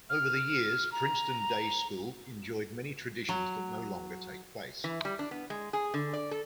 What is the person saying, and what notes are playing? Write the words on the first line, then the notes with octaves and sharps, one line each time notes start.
Over the years, Princeton Day School enjoyed many traditions that no longer take place.
F6
A#5
F#3
E3
G3
D4
B3
G#3
G#4
D3
D5
A4